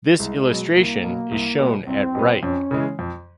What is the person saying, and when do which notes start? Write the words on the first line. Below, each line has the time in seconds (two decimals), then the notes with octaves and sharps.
This illustration is shown at right.
0.19 C2 G#3
0.47 B2 F#3
0.75 C2 A#3
1.03 B2 F#3
1.31 C2
1.59 B2 G3 B3
1.87 C2 C4
2.15 B2 G3 B3
2.43 F2 C#4
2.71 C#3 E3 G#3
2.99 F2